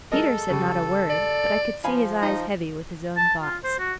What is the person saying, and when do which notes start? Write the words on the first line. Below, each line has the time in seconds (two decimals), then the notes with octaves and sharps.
Peter said not a word, but I could see his eyes heavy with his own thoughts.
0.12 G#3 A4 A#4 D#5
0.50 C#3 G3
1.10 D5
1.84 F3 F5 G#5 B5
2.22 D#4
3.17 A5
3.42 F4
3.64 C5
3.79 F#4